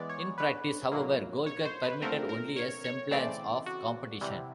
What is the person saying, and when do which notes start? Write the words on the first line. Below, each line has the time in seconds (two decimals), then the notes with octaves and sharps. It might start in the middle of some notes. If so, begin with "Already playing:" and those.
In practice, however, Golkar permitted only a semblance of competition.
Already playing: E3 G#3 B3 D5
0.09 C#5
0.38 B4
0.92 A#2 F#3 A#3
1.46 C#5
1.65 C5
1.83 B4
2.02 D3 F3 A3 C4 A#4
2.29 A#4
2.56 C#5
2.84 C#5
3.11 C#3 E3 A3 C4 D5
3.66 F#4
4.21 C3 E3 G3